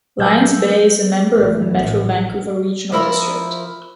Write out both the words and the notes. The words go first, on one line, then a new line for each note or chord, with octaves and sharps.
Lions Bay is a member of the Metro Vancouver Regional District.
A#2 F#3 A3 E6 G6
A#1 G2 A#2 E3 A3 B3
A#1 A2
F3 E4 A#4